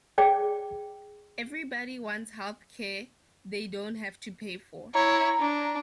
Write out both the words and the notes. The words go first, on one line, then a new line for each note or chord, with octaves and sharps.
Everybody wants health care they don't have to pay for.
G#4 D5 G5
E4 C#5 A#5
D4